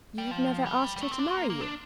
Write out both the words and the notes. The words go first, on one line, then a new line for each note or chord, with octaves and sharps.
"You have never asked her to marry you?"
G3
F3
G3
G3
A3
C4
D4
C4
A#3
A#3
D4